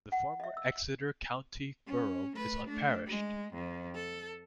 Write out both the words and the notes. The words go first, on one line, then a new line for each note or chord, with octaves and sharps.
The former Exeter County Borough is unparished.
F#5
D#5 E5
E6
C#4
A3 B4
A3 D4
G#3
F2
A4